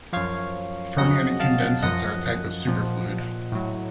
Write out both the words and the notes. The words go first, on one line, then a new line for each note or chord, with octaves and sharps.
Fermionic condensates are a type of superfluid.
F#2 F3 C#5 F5
F2 C#3 F#3 D#5 F#5
F5 A5
F#2 F3 D#5 F#5
A#2 F3
A2 F#3